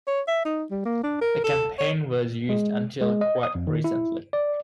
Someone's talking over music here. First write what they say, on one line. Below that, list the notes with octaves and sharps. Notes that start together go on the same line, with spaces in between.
The campaign was used until quite recently.
C#5
E5
D#4
G3
A#3
D4
A#4
A4
C#5
G#3
G#3
D#5
D#6
F2
D#3
E4
D5